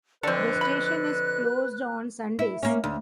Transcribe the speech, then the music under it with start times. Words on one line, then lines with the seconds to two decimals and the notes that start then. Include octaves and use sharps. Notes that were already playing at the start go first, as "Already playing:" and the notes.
The station is closed on Sundays.
0.23 F2 D3 C4 A4 B4 F#6
0.61 B5
2.39 E4
2.63 A#3 C#4
2.84 D2